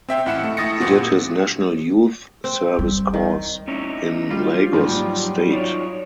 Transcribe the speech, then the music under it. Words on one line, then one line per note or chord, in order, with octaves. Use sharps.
He did his National Youth Service Corps in Lagos State.
C4 E5 G5
A1 E4 F#5 C#7 E7
A3
A3 E4 D#6 A6 A#6 C#7
G1 A#2 C4 F#4
C4
G3
D#3
C#4 D#4 E4
F#3 G3 F4
G#2 D#3 F3 G3
D#4 F4 C#5 D5